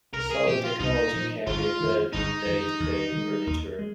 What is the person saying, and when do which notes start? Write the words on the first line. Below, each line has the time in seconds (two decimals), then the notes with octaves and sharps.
Solar technology can be embedded in day to day furniture.
0.13 C2 A#4
0.30 G#4
0.47 A#2 F3 G4
0.64 F4
0.79 C2 D#4
1.13 A#2 F3
1.46 G1 F4
1.80 F2 D#3
2.13 G1 D#4
2.46 F2 D#3
2.80 D#2
3.12 D#3
3.17 G#3
3.47 D#2
3.79 G#3